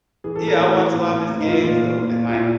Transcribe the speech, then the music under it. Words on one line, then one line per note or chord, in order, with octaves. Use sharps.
Yeah, I watched a lot of his games though, and, like,
E3 G#4
A4
E3
A#4
A2
E3
A2
A2
A2
D#4
E3 F4
E4
A#2 F4
A#2
A#2
A#2
F4
A#2 E4